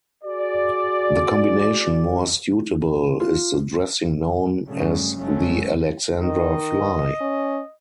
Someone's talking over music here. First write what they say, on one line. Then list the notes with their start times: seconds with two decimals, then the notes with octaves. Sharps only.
The combination more suitable is the dressing known as the Alexandra fly.
0.24 F#4 G#4 D5
3.20 F4
4.67 G2 C#3 F#3 G3 A3 C#4
5.17 F#1 F#3 G#3 A3 C#4
6.22 D#3 D#5
7.21 C#4